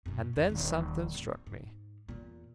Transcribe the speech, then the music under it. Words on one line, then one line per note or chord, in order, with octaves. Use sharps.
And then something struck me.
F#2 B2
E1 F2
D#1 D#3
D1
G#2
E2 A#2